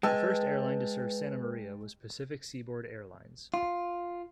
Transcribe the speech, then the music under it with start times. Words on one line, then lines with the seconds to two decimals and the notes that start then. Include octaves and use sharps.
The first airline to serve Santa Maria was Pacific Seaboard Air Lines.
0.03 G#3 B4 G5 A5 E6
3.54 F4